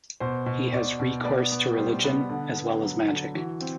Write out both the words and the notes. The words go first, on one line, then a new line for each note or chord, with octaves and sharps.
He has recourse to religion as well as magic.
B2 C5
B2
B2 D5
B2
B3 D5
B3
G3 C5
C5
B3 B4
D3
B3
F#3
D3
E3 F#4
C4